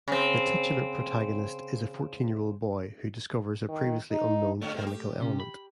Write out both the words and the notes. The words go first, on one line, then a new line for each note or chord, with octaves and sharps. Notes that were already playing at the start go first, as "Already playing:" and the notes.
The titular protagonist is a fourteen-year-old boy who discovers a previously unknown chemical element.
C#3 C4
D#3
D#4
A2 D3 A3 C#4
B2 A#3
G4
C3 C#4
B5